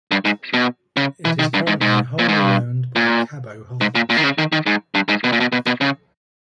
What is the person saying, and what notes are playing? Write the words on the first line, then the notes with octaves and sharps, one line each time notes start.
It is currently wholly owned by Kabo Holdings.
G2
G#2
B2
C#3
E3
D#3
G2
G#2
G#2
A#2
G#2
G2
A#2
G#2
A#2
A#2
D#3
C#3
D#3
D#3
G#2
G2
G#2
B2
A#2
B2
B2
B2
C#3